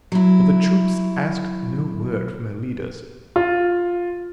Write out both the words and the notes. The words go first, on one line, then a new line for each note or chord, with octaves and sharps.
But the troops asked no word from their leaders.
F#3 E4
F4